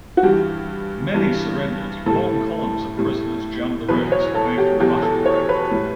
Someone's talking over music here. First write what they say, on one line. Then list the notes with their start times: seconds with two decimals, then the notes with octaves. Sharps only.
Many surrendered-long columns of prisoners jammed the roads away from the battleground.
0.17 F#4
0.23 G2 E3 G3 G4
1.14 G2 E3 G3
2.06 A2 G3 A4
2.97 A2 G3
3.89 E2 B2 F#3 B4
4.12 C#5
4.35 A4
4.58 G4
4.80 E2 B2 F#3 G4
5.03 A4
5.26 C#5
5.49 B4
5.71 A2 G3